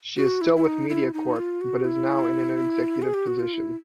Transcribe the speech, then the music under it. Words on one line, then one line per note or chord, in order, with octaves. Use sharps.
She is still with MediaCorp but is now in an executive position.
F#4
E4
E4
D#4
E4
D#4
F4
F#4
E4
G#4
G4
F#4
F4
E4